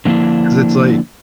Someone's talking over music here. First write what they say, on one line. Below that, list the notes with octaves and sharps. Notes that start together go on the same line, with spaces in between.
'Cause it's, like
D3 F3 A#3 D4 E4